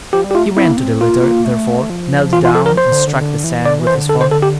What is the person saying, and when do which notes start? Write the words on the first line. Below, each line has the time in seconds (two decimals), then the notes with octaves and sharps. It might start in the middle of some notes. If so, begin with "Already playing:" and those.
He ran to the litter, therefore, knelt down, and struck the sand with his forehead.
0.13 F3 G4
0.24 G3
0.31 G4
0.35 A3 F4
0.57 C4 E4
0.67 A#3
0.77 C4
1.01 A#3 F4
1.23 A#3
1.45 A3
1.90 F3
2.33 E3 F4
2.45 F4
2.55 F3 A4
2.66 A#4
2.77 C5
2.91 D3
3.07 D3
3.21 D3
3.44 E3
3.65 D3 D5
3.80 E3
3.87 C5
3.95 D3
4.09 A4
4.21 C5
4.31 A4
4.42 G4